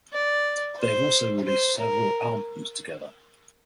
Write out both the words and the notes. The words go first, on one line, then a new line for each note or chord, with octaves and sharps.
They have also released several albums together.
D5
C5
C5
A#4